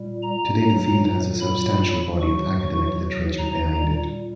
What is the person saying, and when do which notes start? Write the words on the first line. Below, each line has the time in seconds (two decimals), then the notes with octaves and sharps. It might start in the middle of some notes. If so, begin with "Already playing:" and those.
Today, the field has a substantial body of academic literature behind it.
Already playing: A#2 G3
0.23 A#5
0.63 A#2 F#3
1.40 B5
2.20 B2 F#3 C#6
2.59 C#6
3.38 A#5
3.77 A#2 G3